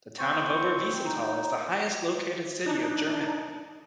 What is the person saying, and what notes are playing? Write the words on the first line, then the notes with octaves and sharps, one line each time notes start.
The town of Oberwiesenthal is the highest located city of Germany.
E2 C4 C5 C#6
D#4
D4 D#4